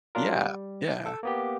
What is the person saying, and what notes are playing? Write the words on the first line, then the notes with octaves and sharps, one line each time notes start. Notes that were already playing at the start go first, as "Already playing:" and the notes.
Yeah, yeah.
F#3 D4 F4 A#4
G3
A4
A#3 B3 G4